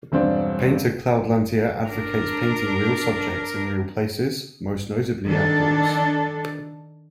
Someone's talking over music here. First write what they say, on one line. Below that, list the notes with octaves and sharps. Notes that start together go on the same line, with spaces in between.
Painter Claude Lantier advocates painting real subjects in real places, most notably outdoors.
E1 G2 C4 D4
D4 A#4
D#3 D4 A4